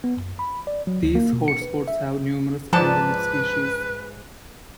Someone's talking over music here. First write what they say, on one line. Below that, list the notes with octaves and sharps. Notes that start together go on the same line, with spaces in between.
These hotspots have numerous endemic species.
B3
F#2
B5
D5
F#3
D2
A#3
B2
C#7
B4
E5
G#2 F3 B4 D5 A5